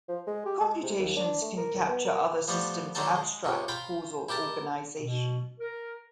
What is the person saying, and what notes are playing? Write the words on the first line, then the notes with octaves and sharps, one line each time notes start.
Computations can capture other systems' abstract causal organization.
F3
G#3
G4
G#3
C3
D#2
D4
A3
A#4
D#2
B3
A#4
F3 G3 A3 B3
D3 D#3 F#3 G#3 D#4 A4
G#3
C#2 C3 C#4
F4 F5 G5 A#5 B5
E4 G4 A#4 A5
B2
A#4